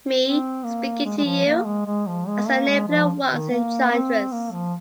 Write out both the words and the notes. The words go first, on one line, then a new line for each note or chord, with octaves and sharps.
Me, speaking to you, I saw Napoleon once, in Chartres.
C4
A#3
G#3
G#3
F3
A#3
G#3
G#3
F3
G#3
A#3
G#3
F3
D#3
A#3
C4
A#3
F3